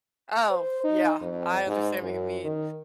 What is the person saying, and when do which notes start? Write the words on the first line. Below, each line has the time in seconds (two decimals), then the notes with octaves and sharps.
Oh, f yeah, I understand what you mean.
0.50 C5
0.84 D#4
1.21 F2
1.67 G#2
2.02 F#2
2.44 D#3